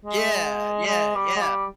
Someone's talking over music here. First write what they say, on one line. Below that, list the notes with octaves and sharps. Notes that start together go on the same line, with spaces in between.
Yeah. Yeah, yeah.
G#3
G#3
G3
G#3
G3